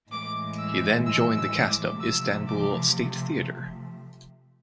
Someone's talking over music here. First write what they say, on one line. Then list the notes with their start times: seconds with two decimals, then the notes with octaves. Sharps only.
He then joined the cast of Istanbul State Theatre.
0.11 A2 E3 G#3 D6
0.58 E6
1.05 E6
1.36 E6
1.68 D6
1.99 C3 F3 A3 E6
2.47 D6